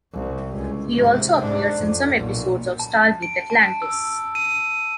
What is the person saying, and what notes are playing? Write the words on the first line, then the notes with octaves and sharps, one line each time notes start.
He also appears in some episodes of “Stargate Atlantis”.
C2
C#2
G#1 C3
G#2 D4
F2
B1 A#2
A5
D7
A5
E6
D#7